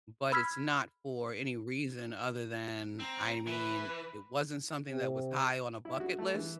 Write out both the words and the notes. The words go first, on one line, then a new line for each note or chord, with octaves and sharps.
but it's not for any reason other than I mean, it wasn't something that was high on a bucket list,
B5 E6 F6 G#6 B6
C4 A#5
E3 B4
C3
E4
F#4
A3
E3